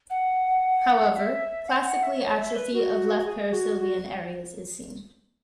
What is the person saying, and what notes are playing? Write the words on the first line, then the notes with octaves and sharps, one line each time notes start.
However, classically atrophy of left perisylvian areas is seen.
F#5
E5
F#5
F#5
E5
C#5
E5
B4
F#4
G#4
F#4
F#4